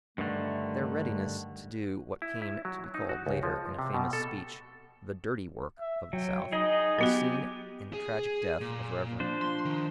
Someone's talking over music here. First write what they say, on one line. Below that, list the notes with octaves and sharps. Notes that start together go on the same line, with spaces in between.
Their readiness to do what came to be called later, in a famous speech, the "dirty work" of the South was seen in the tragic death of Rev.
G2 D3 D#3 A3
E4
E4
F#3
D#4
F#4
C#2
F3
C3
B2
A4
E5
F#3 G5
D#4 G#4 D#5
F#3 B3 F#4 G4
G#4
A#2
F3 D4 C5
C6
D#3